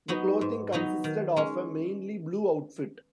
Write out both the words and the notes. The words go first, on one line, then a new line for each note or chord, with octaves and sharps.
The clothing consisted of a mainly blue outfit.
F#3 B3 D#4 F#4
G#2
F#3 B3 D#4 F#4
D#3
G#3 C#4 G#4